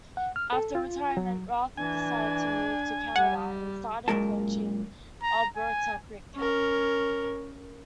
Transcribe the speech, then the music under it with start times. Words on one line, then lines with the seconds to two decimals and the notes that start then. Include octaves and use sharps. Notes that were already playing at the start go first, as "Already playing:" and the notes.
After retirement, Raza decided to move to Canada, and started coaching Alberta cricket.
0.17 F#5
0.36 F6
0.53 A4
0.75 F4
1.17 F#3
1.77 E3 D4 G#5
3.16 G3 F#5
4.08 F#2 A#2 G#3 A#4 A5
5.23 A#5
5.56 G#5
6.35 C#4 A#4